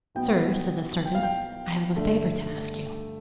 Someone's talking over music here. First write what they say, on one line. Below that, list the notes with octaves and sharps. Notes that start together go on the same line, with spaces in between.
"Sir," said the servant, "I have a favour to ask you."
B1 B2 B3 G5
G5
F5
G5
G2 D3 A3